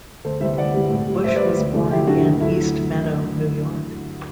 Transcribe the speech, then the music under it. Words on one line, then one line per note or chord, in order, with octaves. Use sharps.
Busch was born in East Meadow, New York.
D2 A4 C5
C3 E3 G3 C5 E5
D2 D5 F#5
C3 E3 G3
A2
G3
A2 C5 E5
B4 D5
G3
D2
C3 F#3 A3
D2 E4 G4
C3 F#3 A3 D4 F#4
D2
D3 F#3 A3 E4